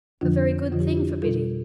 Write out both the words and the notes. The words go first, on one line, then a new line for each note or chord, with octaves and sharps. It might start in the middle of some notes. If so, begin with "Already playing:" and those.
A very good thing for Biddy.'
F2 D3 F3 D4 F4
F2 D3 F3 F4
G4
D4 F4
E4 G4
B2 G3 F4 A4